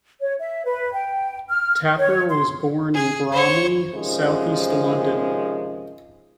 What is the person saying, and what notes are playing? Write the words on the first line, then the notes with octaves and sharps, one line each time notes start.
Tapper was born in Bromley, South East London.
C#5
E5
B4
G5
F6
C#5
C6
G#4
C5 C#5
C3 D#3 F3 G#3 C#4